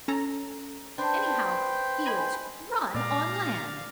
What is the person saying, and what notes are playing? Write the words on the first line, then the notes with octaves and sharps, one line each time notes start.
"Anyhow, Eels run on land."
C#4 A4 A#5
D4 B4 C5 G5
D#5 G#5 B5
A#2 G#3 D5 F5 A#5